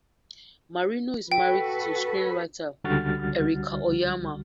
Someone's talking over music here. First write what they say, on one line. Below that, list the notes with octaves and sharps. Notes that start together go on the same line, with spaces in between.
Marino is married to screenwriter Erica Oyama.
F#4 A4 B4 G5
C#2 D3 G3 F#4 F6 A6